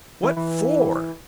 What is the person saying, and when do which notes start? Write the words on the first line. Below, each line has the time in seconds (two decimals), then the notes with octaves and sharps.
"What FOR?"
0.23 E3
0.36 E3